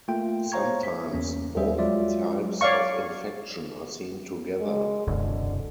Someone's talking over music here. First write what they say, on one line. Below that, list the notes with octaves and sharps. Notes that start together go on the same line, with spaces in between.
Sometimes, both types of infection are seen together.
A3 A#3 F4 G5
C5 C#5 F5 A#5 C#6 G#6
B6
E2 A#3 C#4
D#2 G3 G#4 C5 E5
F#3 G#3 F4 D5 E5
C#5 D5 F5 C#6
G#3
E1 C2 F#2 D3